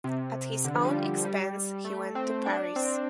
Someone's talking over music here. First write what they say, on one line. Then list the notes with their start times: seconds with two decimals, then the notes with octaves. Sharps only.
At his own expense he went to Paris.
0.04 C3
0.64 D3
0.75 F3
0.85 G3
1.25 G3
1.85 A3
2.15 C4
2.46 D4
2.76 C4